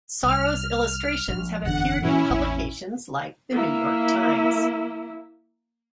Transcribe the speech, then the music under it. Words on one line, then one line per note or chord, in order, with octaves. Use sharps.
Sorrow's illustrations have appeared in publications like "The New York Times".
C2 F6
A#1
F#1 E2 D3 F#5
A#2 E3 C#4 E4
A1 E2 A#2
A#3 E4